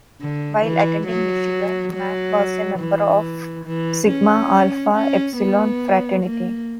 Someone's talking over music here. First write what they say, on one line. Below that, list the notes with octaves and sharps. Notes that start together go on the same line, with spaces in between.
While attending Michigan, Mack was a member of Sigma Alpha Epsilon fraternity.
D3
E3
F#3
F#3
E3
E3
C#4
C#4
B3
A#3